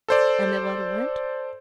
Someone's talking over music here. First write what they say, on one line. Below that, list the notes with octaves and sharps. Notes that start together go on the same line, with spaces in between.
And the letter went?'
A4 C5 D5